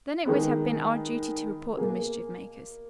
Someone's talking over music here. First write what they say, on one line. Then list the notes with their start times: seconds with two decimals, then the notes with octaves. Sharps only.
Then it would have been our duty to report the mischief makers.
0.25 D#3 G#3 B3
1.77 B2 A#3 G#4